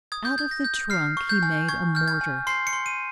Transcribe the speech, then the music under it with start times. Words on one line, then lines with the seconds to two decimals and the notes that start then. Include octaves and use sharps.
Out of the trunk he made a mortar.
0.12 D#6 G#6
0.25 G6
0.38 G6 G#6
0.51 A#6
0.64 G6
0.90 F6 C7
1.17 C#6
1.29 G6
1.43 G#5
1.69 C#6 G#6
1.95 F6 G6
2.08 G#6
2.21 G#5
2.47 C6 C7
2.67 C#7
2.73 C6
2.86 D#7